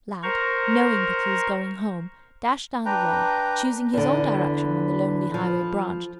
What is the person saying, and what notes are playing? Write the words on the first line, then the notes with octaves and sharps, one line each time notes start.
Lad, knowing that he was going home, dashed down the road, choosing his own direction when the lonely highway branched.
A#4 C5 A#5 C#6
D4 B4 G5 A#5
E2 D3 B4
F3